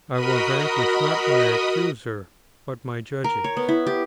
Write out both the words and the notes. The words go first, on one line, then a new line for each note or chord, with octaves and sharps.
I will vanquish, not my Accuser, but my judges.
F#4 A#4 D#5 B5 D#6
A#4
C#5
B3
E4
G4